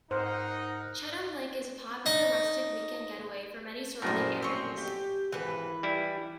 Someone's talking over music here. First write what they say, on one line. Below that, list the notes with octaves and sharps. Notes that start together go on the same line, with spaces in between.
Cheatham Lake is a popular rustic weekend getaway for many surrounding areas.
G#2 D#4 A#4 C5 F#5
D#4
A#1 F#2 A2 A#4 C5
C4 C#5
G4
G#1 E3 B4
G3 E4